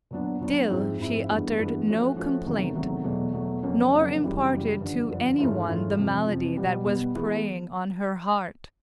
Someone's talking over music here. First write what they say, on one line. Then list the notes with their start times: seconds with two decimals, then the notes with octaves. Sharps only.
Still she uttered no complaint nor imparted to any one the malady that was preying on her heart.
0.11 A#2 F#3 B3 D4
0.41 A#2 F#3 B3 D4
0.70 G#2 F3 G#3 C4 E4
0.99 G#2 F3 G#3 C4 E4
1.29 G2 E3 G#3 B3
1.58 G2 E3 G#3 B3
1.87 F3 A3 C#4 F#4
2.16 F3 A3 C#4 F#4
2.45 E2 C3 D#3 F#3 A3
2.75 E2 C3 D#3 F#3 A3
3.04 E2 B2 F#3 A3
3.34 E2 B2 F#3 A3
3.63 F2 C#3 F#3 A#3 C#4
3.92 F2 C#3 F#3 A#3 C#4
4.21 F#2 C#3 E3 G3
4.51 F#2 C#3 E3 G3
4.80 G2 D3 F3
5.10 G2 D3 F3
5.38 G#2 E3 A3 C#4 F4
5.68 G#2 E3 A3 C#4 F4
5.97 F2 C3 F3
6.27 F2 C3 F3
6.56 B2 G3 B3
6.85 B2 G3 B3
7.15 E3 G#3 B3